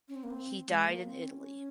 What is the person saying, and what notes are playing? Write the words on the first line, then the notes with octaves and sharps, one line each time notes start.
He died in Italy.
C#4
C4
A#3
C4
G#3
A#3
C4
C#4